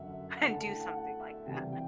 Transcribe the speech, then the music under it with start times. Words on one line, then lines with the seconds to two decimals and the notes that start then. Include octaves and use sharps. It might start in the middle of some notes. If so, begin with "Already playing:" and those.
and do something like that.
Already playing: F#2 D3 F#3 E5 F#5
0.39 D3 A3 E4 F#5
0.53 A5
0.67 G5
0.79 F#5
0.92 F#5
1.20 E5
1.45 C3 E3 G3 G5
1.72 G5